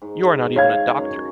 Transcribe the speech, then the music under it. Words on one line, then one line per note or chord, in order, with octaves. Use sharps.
You are not even a doctor!
G#2
C#5 F5 G#6
F#2